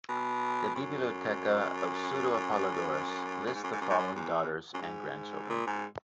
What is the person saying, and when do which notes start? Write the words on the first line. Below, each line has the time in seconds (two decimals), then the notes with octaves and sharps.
The "Bibliotheca" of Pseudo-Apollodorus lists the following daughters and grandchildren.
0.09 B2
0.75 F#2
3.46 F#2
3.55 G#2
3.63 F#2
3.73 G#2
3.81 F#2
3.90 G#2
3.98 F#2
4.15 E2
4.74 F#2
4.82 G#2
5.50 A#2
5.67 G#2